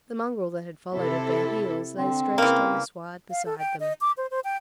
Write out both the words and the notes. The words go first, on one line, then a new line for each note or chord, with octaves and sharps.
The mongrel that had followed at their heels lay stretched on the sward beside them.
C3 E4 A4
D3 C4
C#3 E3 A#3
F5
A4
G5
D#5
D6
C5
C5
G5